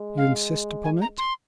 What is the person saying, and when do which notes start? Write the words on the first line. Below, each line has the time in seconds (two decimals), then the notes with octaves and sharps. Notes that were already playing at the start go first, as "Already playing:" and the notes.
"You insist upon it?"
Already playing: G#3
0.17 F5
0.84 G#5
1.01 A#5
1.18 C6